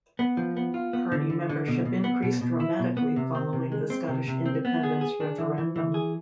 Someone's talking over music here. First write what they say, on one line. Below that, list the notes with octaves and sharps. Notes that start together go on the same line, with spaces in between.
Party membership increased dramatically following the Scottish independence referendum.
B3
F3
B3
F4
B3
D3
D3
D3
B2
B2
B3
B2
B2
E4
B2
B3
C3
C4
C3
G#3
C4
C3
C3
C4
B3
G#4
G#4
D4
E3
E3
E3
G#4